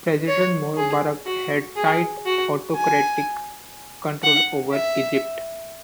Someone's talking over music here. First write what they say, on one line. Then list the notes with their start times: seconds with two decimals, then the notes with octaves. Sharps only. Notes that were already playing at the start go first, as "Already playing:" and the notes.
President Mubarak had tight, autocratic control over Egypt.
0.28 C#5
0.77 G#4
1.26 F#4
1.76 G#4
2.25 F#4
2.75 G#5
4.23 F#5
4.72 E5